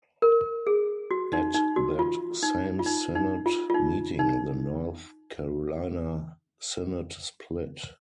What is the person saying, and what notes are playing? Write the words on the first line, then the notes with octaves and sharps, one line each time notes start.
At that same synod meeting the North Carolina Synod split.
A#4
G#4
F#4
D#4
D#4
F#4
F4
D#4
F4
D#4
D#4
F4
F4
D#4
D#4